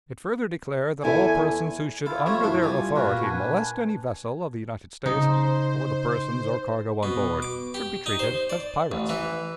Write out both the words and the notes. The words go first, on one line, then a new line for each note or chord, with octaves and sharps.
It further declared that all persons who should under their authority molest any vessel of the United States, or the persons or cargo on board, should be treated as pirates.
E2 E4 A4 G#5
E4 F4 A4 F5
F3 G3 A3 C#4 F4 C#5
F#2 D4 E4 C5
G3 F4 G#5
A#2 F#4 B4 F5
D4 B4 G#5
C#3 D#4 C5
B2
D6
G4
D#4
C5
D5
A1
E3